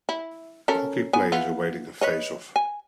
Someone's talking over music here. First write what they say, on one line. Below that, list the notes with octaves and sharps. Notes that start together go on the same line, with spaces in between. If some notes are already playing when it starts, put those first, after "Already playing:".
Hockey players awaiting a faceoff.
E4
C#4 A4 A#4
B3 G#5
E3 B3 F4
B4 C#5 D#5
G#5